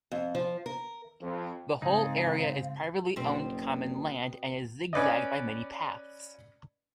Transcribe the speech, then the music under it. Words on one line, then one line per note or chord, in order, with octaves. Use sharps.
The whole area is privately owned common land and is zigzagged by many paths.
F2
F3
A#4
F2
G#2 C#3 C4 D#4 G#4 F5
F#1 B2 C4
C#4 B4 D5 D#5